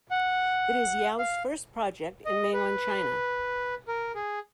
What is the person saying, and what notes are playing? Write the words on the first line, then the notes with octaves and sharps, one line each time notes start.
It is Yau's first project in mainland China.
F#5
F5
D#5
B4
A#4
G#4